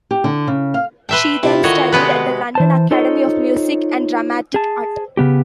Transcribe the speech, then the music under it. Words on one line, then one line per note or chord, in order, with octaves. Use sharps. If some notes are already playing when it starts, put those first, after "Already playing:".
She then studied at the London Academy of Music and Dramatic Art.
G4
D3
C#3
F5
B4 E5 G5 A5 C6
C3 E4 F4
D3 D#3 F#4 C#5 D#5
C3 G#3 B3 F#4 G4 B4
E3 C5 A5
D#4 F4 A4 C5 C#5 D#5
G#4 A5
C#3 B3 G4